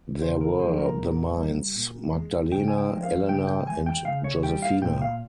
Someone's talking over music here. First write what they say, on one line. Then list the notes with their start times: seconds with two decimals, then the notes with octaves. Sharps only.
There were the mines "Magdalena", "Elena" and "Josefina".
0.21 C#3 C5
0.41 A#4
0.59 F3 G#3 G#4
0.79 A#4
0.99 A#2
1.36 G3
1.75 A#2
2.13 G#3
2.51 C#3 G5
2.68 G#5
2.78 G5
2.90 F3 G#3
3.03 F5
3.29 C#3 G5
3.47 G5
3.67 E3 G#3 G#5
3.86 G5
4.05 C#3 F5
4.24 C#5
4.43 G3 G5
4.62 F5
4.82 A#2 G5
5.02 F5